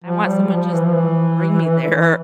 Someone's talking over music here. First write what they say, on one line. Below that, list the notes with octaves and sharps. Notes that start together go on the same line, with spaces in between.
I want someone just to bring me there
F3
G3
F3
E3
F3
E3
E3